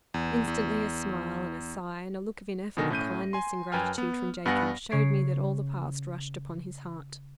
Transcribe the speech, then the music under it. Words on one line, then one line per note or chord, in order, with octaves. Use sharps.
Instantly a smile, and a sigh, and a look of ineffable kindness and gratitude from Jacob, showed me that all the past rushed upon his heart.
E2
E2
B2 D3 D#3 G#5 A#6
A2 C#4 G6 D#7
G#5 C6
F#2 B4 G5 G#5 F6
B3
G2 B3 B4 F#5 G#5 A#6
C#3 C#5 C7 D7